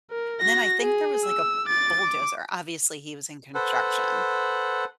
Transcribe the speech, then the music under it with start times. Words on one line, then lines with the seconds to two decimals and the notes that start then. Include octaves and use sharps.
And then I think there was like a bulldozer. Obviously, he was in construction.
0.11 A#4
0.40 F#4 A#6
0.82 G#4
1.25 E6
1.67 D6 A6
2.02 D6
3.55 A4 B4 C5 F#5